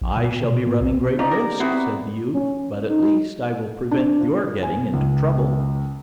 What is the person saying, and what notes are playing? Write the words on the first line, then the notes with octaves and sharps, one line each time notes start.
"I shall be running great risks," said the youth, "but at least I will prevent your getting into trouble."
A#1
A#2
B2
A2
B1
C#4 D#4 F4 D5
G4 A#4
B3 C4 E4 F#4
C#4
D#4
D4
F4
G#5
C#2